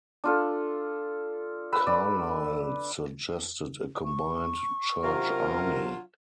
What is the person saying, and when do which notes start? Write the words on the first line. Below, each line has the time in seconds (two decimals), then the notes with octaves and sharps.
Carlile suggested a combined "Church Army".
0.24 D4 F4 A4
1.72 B4 B5 E6
1.87 D5
4.05 C#6
5.03 C3 F#3 D4 F4 A#4